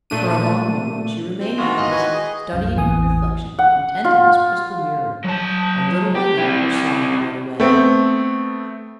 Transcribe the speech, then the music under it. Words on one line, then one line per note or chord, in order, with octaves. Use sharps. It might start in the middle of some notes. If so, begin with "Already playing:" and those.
For a long moment she remained thus, studying her reflection intently in this crystal mirror, and little by little her song died away.
A#2 A3 D4 D#7
C4
D#3 E3 G#3 F4 F#4
D#5
F#4 B4 G#5
G#4
C2 F#2 F5
A1 E2 E3 G#5 D#6
F#5
F4
F#3 A5
G4
C4 E4
A3 B3 C4